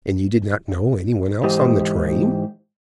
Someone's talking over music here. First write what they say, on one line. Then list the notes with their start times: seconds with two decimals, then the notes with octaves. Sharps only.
"And you did not know any one else on the train?"
1.44 G#2 E3 G4 C5 D#5